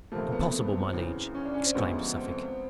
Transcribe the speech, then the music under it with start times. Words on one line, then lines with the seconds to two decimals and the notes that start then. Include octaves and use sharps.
"Impossible, my liege?" exclaimed Suffolk.
0.12 F1 F2 C3 F3 A3 A#3
0.32 B3
0.52 C4
0.93 G#1 F#2 C#3 E3
1.35 C#4
1.45 D4
1.54 C#4
1.64 C4
1.75 D2 C3 F3 G#3 B3
2.16 C4